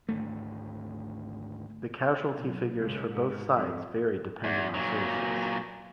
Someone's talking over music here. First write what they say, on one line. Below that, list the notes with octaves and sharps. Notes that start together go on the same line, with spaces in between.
The casualty figures for both sides vary depending on sources.
G#1 D2 A3
B1
C#2
G#2
F2
E2
A#2 F#3